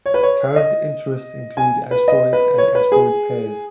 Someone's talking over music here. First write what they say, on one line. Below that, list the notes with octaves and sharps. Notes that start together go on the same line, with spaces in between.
Current interests include asteroids and asteroid pairs.
C#5
B4
C#5
D#5
G#5
B4
D#5
B4
C#5
B4
G#4